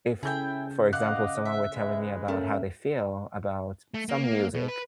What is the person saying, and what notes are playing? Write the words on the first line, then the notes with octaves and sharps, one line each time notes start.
if, for example, someone were telling me about how they feel about some music,
C#3 E4 G#4 A4 G5 G6
D#5 F5 F#5 D6 F#6
E5
G#3 B4
A3 A#3 C#4 A4
A3
A#3
A#3
B2
B4